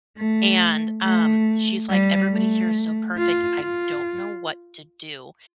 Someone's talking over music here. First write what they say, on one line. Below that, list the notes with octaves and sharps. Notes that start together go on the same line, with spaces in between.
And, um, she's like, "Everybody here is so perfect. I don't know what to do."
A3
A3
G3
A3
F4
F4